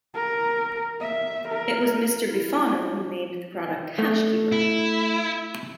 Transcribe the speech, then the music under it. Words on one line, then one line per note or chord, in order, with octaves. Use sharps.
It was Mr. Bifano who named the product HashKeeper.
A#4
E5
A#4
E4
A3
E4